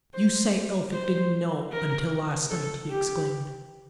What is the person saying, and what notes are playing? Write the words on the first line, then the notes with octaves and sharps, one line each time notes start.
"You say Elphick didn't know until last night!" he exclaimed.
C5
C5
A#4
A4
G4